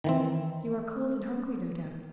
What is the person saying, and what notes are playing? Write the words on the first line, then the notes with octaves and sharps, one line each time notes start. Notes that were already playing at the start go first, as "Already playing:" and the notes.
You are cold and hungry, no doubt.
D#3 E3 C4